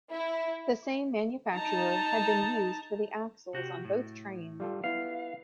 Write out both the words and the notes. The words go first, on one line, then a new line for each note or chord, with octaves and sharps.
The same manufacturer had been used for the axles on both trains.
E4
D#4 A5 A#5
C3 F#4 G4
A2
G3 F4 A4
B3 E4 F5